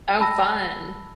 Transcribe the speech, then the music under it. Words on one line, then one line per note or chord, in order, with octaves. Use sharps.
Oh, fun.
A5 B5 E6 A#6